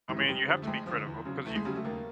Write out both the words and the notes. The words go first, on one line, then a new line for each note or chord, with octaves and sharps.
I mean, you have to be critical, 'cause you
G#2 E3 G3
G#3
F2 G3
D3 F3
A3
F2 G#3
D3 F3
E2
C#3 F#3
E2 A3
G#3
C#3 F#3 G3
A3
D#2 A#3